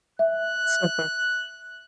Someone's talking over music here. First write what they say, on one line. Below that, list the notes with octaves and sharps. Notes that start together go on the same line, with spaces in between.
So far.
E5 F#6